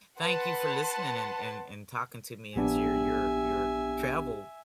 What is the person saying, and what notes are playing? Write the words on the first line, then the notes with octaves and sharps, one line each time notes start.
Thank you for listening and and and talking to me and sharing your your travel
B4 F#5 A5 C6
A#1 B3 D4 G4 E5 G#5